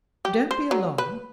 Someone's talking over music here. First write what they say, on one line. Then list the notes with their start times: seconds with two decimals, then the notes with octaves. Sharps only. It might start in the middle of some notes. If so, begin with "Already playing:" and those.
Don't be alarmed.
0.25 G4
0.51 C5
0.71 F#3
0.98 B4